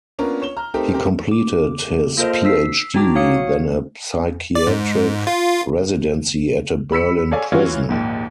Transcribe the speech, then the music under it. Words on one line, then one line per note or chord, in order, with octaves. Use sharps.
He completed his PhD, then a psychiatric residency at a Berlin prison.
A#3 B3 C#4 D4 F4 A#4
C#5 E7 G7
A#5 F6
A3 C4 D#4 G4 A4 A#4
C4 G4 A#4
D6
A#3 F4 A4 A#4 C5 D#5
E6 B6 C7
D4 D#4 F#4 G5 A#5 D6
F#4 C#5 F5 D#6 C#7
D5
G#2
F4
B5 E6 B6 C#7
G#4 A4 C#5 D5 F5 G#5
E3 C#4 F4 F#4 C#5
A#1 D#2 G#2